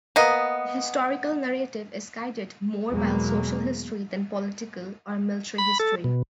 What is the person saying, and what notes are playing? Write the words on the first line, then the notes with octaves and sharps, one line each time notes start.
The historical narrative is guided more by social history than political or military history.
A#3 B3 D#5
E2 B2 F#3 G#3 A#3
B5
A4
B2